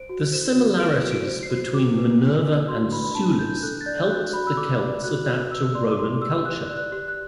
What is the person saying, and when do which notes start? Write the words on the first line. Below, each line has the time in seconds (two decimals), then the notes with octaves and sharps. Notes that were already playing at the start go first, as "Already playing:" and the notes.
The similarities between Minerva and Sulis helped the Celts adapt to Roman culture.
Already playing: C5 D7
0.09 F#4
0.33 C5 E7
0.56 F#4
0.80 C5 D7
1.04 F#4
1.11 D7
1.27 C5
1.43 C7
1.50 F#4
1.74 F#4 D6
1.98 B4
2.21 D4
2.45 D4
2.68 F#4 C6
2.92 B4 B5
3.15 D4 A5
3.39 D4 G6
3.63 A4 F#6
3.81 A6
3.86 D5 G6
4.10 F#4 F#6
4.33 F#4 B5
4.47 E6
4.57 A4 D6
4.81 D5
5.04 F#4 F#6
5.28 F#4
5.51 B4 E6
5.75 D5 C6
5.91 D6
5.98 G4 C6
6.22 G4 E6
6.45 B4 F#6
6.69 D5
6.77 F#6
6.92 G4
7.08 F#6